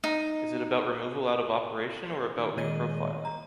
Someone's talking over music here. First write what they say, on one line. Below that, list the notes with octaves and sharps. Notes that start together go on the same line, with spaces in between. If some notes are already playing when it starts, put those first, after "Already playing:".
Is it about removal out of operation or about reprofiling?
D#4
C5
D#3
A#2 D#3 G#3 C#5 D#5 D#7
A#5